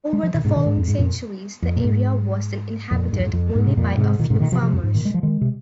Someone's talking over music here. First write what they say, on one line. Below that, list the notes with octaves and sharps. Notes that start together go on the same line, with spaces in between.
Over the following centuries, the area was then inhabited only by a few farmers.
G#3
F3
A#2 D#3
G#2 C3
A#2 D#3
G#2
F2
G#2
F2 A#2
F2
A#2
G#2
F2 A#2
G#2
F2
G#2
F2
G#2
C3
F2 A#2
G#2 C3
A#2 D#3
G#2 C3
A#2 D#3
C3 F3
C3 F3
F2
G#2
A#2 D#3
G#3
F3
D#3 G#3
C3